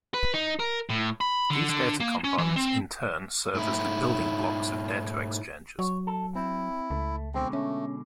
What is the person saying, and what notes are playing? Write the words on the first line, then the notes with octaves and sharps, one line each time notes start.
These data components in turn serve as the "building blocks" of data exchanges.
B4
D#4
A#4
A2
B5
D3
D3
A#3
C#4
E3
C4
G#2 E4
F#3 C#5
A4
C4 E4
C#2 A3
B2 D3 G#3 C4
A3 C#4